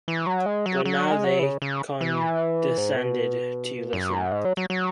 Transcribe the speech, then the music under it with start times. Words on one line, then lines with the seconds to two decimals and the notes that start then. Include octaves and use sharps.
But now they condescended to listen.
0.08 E3
0.26 F#3
0.46 G#3
0.66 F#3
0.85 F#3
1.11 G#3
1.24 F#3
1.39 E3
1.43 C#3
1.62 C#3
2.01 E3
2.78 G#2
2.96 B2
3.93 F#2
4.32 G#2
4.45 F#3
4.57 F#3
4.70 F#3